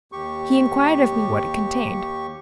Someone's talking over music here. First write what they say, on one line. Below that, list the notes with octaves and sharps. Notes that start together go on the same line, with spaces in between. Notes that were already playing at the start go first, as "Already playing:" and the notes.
He inquired of me what it contained.
D#2 G4 C#6